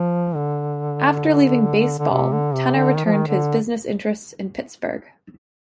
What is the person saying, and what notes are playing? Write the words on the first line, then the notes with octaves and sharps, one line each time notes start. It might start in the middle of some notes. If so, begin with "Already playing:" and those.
After leaving baseball, Tener returned to his business interests in Pittsburgh.
Already playing: F3
D3
D3
C3
D3
C3
D3
D#3
F3
D#3
D3